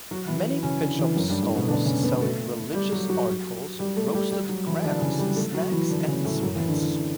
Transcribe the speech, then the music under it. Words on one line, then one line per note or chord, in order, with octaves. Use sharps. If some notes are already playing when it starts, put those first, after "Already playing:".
Many pitch up stalls selling religious articles, roasted grams, snacks and sweets.
F#3 F#4
E3 E4
C#3 C#4
D3
E3
F#2 F#3
G2 G3
A2 A3
B2 B3
D3 D4
C#3 C#4
B3 B4
A3 A4
G3 G4
F#3 F#4
F#3 F#4
G3 G4
A3 A4
G3 G4
G3 G4
F#3 F#4
E3 E4
D3 D4
C#3 C#4
G3 G4
A3 A4
F#3 F#4
E3 E4
D3 D4
C#3 C#4
A2 A3
F#2 F#3
E3
D3
E3